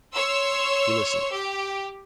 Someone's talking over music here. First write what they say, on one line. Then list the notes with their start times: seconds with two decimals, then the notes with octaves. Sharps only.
He listened.
0.13 C#5 C6 E6
1.32 G4